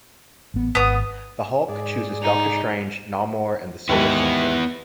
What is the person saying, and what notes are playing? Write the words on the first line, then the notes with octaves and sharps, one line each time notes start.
The Hulk chooses Doctor Strange, Namor, and the Silver Surfer.
A1 B3
G#1 B3 D#6
G#2 G#4 D5
D#4
D#2 G#2 B3 E4